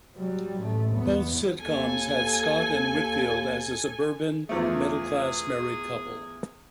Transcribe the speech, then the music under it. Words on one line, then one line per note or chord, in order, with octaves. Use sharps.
Both sitcoms had Scott and Whitfield as a suburban middle-class married couple.
F#3 G3
A1 A3
E2 B3
D#2 A4 G#5
E2 F3 A3 G#4